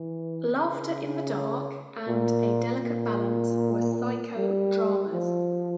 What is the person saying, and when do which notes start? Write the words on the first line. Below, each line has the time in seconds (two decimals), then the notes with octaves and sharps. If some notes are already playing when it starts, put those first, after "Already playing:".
"Laughter in the Dark" and "A Delicate Balance" were psycho-dramas.
Already playing: E3
0.53 C#3
2.07 A#2
2.83 A#2
4.36 G3
5.13 F3